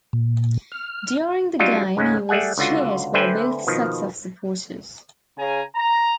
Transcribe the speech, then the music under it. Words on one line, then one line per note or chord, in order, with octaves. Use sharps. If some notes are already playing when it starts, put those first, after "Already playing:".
During the game he was cheered by both sets of supporters.
A#2
F6
F#3 G3 C#4 D#4 F4
C#2 G#2 G#3 C#4
G3 A3 G#4 F#5 G#5
C#2 D3 F4 F#4
D3 A3 B4 C5 G5 G#5
B2 D#3 F3
C#3 G#5 A#5
A#5